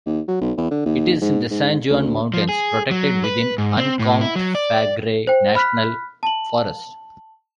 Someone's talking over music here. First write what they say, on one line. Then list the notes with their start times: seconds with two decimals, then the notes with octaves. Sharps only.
It is in the San Juan Mountains, protected within Uncompahgre National Forest.
0.06 D#2
0.28 F#3
0.41 B1
0.57 E2
0.71 D3
0.86 D#2
1.21 G#2
1.51 G#2
1.90 D2
2.34 F3
2.49 G#4
2.91 F#3
3.24 B4
3.58 G#2
3.77 C4
3.99 A2
4.21 E4
4.35 F#3
4.55 D5
5.27 C5 G5
5.55 B5 F6 F#6 B6
6.23 A5 F#7